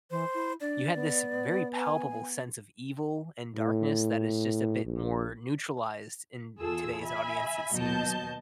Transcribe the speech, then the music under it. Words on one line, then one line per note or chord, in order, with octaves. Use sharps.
You had this very palpable sense of evil and darkness that is just a bit more neutralized in today's audience, it seems.
E3 C5
E4
D4 D5
B3
G#5
A2
A#1
E2 F4 G#4 A4 E6
E5 G#5 B5
D#2 B2 F#3 D#5 A5 G6